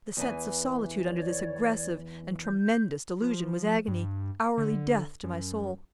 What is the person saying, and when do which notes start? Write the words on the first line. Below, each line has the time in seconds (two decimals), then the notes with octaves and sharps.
The sense of solitude under this aggressive and tremendous delusion was agony, hourly death to my soul.
0.17 E2 E3 G#5
1.05 C#5 D5
2.44 G6
3.21 F3
3.88 G2
4.58 D3
5.23 F#2